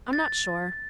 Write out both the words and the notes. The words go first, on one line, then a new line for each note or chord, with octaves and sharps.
I'm not sure.
A6